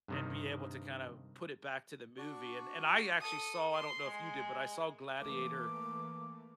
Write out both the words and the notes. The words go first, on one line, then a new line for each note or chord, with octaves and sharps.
and be able to kinda put it back to the movie and and I actually saw I don't know if you did, but I saw Gladiator
G2 C3 D#3
D4 F#4 D5 C#6
A4 D#6
C6
G#3
E3 A3 A#3 D6